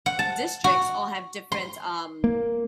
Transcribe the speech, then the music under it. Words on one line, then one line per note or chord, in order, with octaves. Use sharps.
districts all have different, um
F#5
A5
F#4
C6
A#3